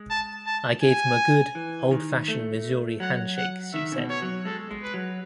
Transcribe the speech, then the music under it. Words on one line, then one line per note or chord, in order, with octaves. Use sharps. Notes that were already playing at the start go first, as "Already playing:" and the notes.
I gave him a good, old-fashioned Missouri handshake, she said.
Already playing: G#3
A5
A5
G#5
E3
D#3
A3
F#3 F#5
F#5
D#3 E5
C#3
B2
C#5
F#3
G#3 A4
G#3
B4
F#3